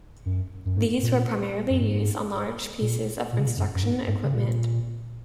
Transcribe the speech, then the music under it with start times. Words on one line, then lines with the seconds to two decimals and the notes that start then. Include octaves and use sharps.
These were primarily used on large pieces of construction equipment.
0.26 F#2
0.65 F#2
0.77 G#2
1.03 A#2
1.70 F#2
1.80 G#2
2.81 A#2
3.32 A#2
3.39 C#3
3.47 A#2
3.57 F#2
3.75 F#2
3.83 G#2
4.08 G#2
4.24 C#3
4.34 A#2